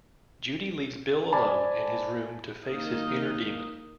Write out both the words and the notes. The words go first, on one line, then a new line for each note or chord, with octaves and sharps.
Judy leaves Bill alone in his room to face his inner demon.
C5 D5 G#5 A5 B5 D6
D#3 A#3 D#4 D#5 F5